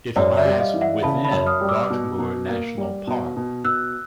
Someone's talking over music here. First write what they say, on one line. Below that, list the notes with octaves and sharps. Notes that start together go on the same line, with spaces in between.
It lies within Dartmoor National Park.
F#2 C5 D5
D5 E5
G3
D#5 F5
E3
E5 F#5
C#3 A5 B5
A5 B5
F#2
D#6 F6
G3
D6 E6
B2
B2
A#3
G3
B2
B2
B2 E6 F#6